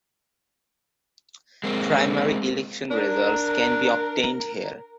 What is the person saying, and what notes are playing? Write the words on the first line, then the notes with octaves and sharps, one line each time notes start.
Primary election results can be obtained here.
G#3 A#3 C4
D4 A#4